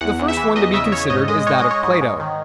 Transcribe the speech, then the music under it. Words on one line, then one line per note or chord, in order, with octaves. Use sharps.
The first one to be considered is that of Plato.
E2 F#5
E2
E5
E3
E2 D#5
C#3 E5
C#3 C#5
G#2 D#5
G#3 D#5
G#3 C#5
D#5
G#3
C#5
G#2
G#2
D#3